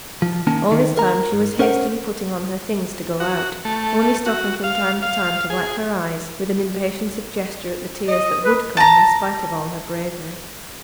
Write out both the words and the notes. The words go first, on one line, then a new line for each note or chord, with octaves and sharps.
All this time, she was hastily putting on her things to go out, only stopping from time to time to wipe her eyes, with an impatience of gesture at the tears that would come, in spite of all her bravery.
F3
D#3 A#3 C#4 A5
D#3
A#4 A#5
G#2
C#4 A#4 C5 F#5
F#4
A3
F#4
F5
F5
G#4
D#5
B4
A5 A#5